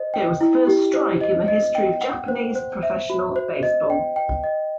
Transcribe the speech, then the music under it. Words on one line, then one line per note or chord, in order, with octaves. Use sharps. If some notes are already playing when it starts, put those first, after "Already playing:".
It was the first strike in the history of Japanese professional baseball.
Already playing: C5 D#5
G5
E4
G4
C5
D#5
D#5
G5
F#5
C5
C5
E5
F#4
C5
D#5
G5
G5
D#5